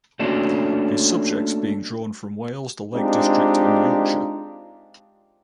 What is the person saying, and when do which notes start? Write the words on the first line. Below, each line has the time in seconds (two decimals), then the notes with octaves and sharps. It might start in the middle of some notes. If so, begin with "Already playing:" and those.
His subjects being drawn from Wales, the Lake district, and Yorkshire.
0.20 A3 A#3 C#4 D4 F4 F#4
2.95 G#3 C4 D4 D#4 F4 G4